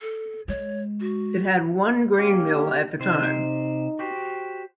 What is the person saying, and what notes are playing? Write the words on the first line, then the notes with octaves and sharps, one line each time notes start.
It had one grain mill at the time.
A4
G#3 C#5
F#4
A#3 C#4 G4
C3 D#4 C5
F#4 G4 C5